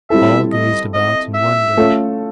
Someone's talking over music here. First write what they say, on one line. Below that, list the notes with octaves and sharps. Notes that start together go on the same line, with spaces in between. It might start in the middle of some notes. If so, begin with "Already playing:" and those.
All gazed about in wonder.
G3 C4 E4 A4 E5
D#5
D#5
E5
A3 C#4 F4 A4